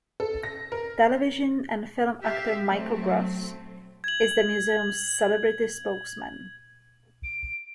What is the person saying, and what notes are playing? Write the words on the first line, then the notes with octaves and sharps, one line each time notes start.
Television and film actor Michael Gross is the museum's "celebrity spokesman".
A4
A#6
A#4
G4 E5 F5
F#3 A3 C4
G#6 F#7
D7